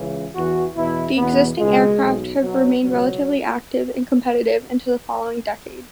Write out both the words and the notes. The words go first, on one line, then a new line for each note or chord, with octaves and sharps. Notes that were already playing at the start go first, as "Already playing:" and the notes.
The existing aircraft have remained relatively active and competitive into the following decade.
Already playing: C#2 C#3 E3
E2 E3 F#4
E2 B2 E4
E2 B2 B3
C#2 B2 G#3
B1 B2
B1 B2 F#3
C#2 B2 F#3